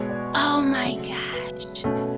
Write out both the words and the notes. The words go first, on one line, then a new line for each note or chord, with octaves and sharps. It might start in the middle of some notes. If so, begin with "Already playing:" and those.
Oh my gosh.
Already playing: B2 G#3 B3 C#5
D5
E5
C#3 F#3 A3
B4
B2 A3 C#4